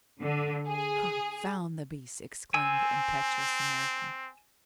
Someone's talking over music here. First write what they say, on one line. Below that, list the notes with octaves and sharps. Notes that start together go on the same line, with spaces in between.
"Confound the beasts!" exclaimed the impetuous American.
D3
G#4
C4 G#5 E6